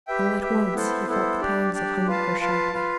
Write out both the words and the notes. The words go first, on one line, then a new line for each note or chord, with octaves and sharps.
All at once he felt the pangs of hunger sharply.
G4 B4 E5 G5
G4 B4 E5 G5
B3 E4 A4 C5
B3 E4 A4 C5
D4 G4 D5
D4 G4 D5
F4 B4 F5 A5
F4 B4 F5 A5
F4 B4 F5